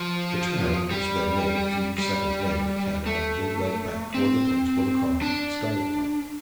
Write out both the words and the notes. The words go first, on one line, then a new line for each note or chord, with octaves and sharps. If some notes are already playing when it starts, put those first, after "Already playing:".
The turn which they made a few seconds later, Tad imagined, led back toward the place where the car had started from.
Already playing: F3
G3
G3
A3
C4
D4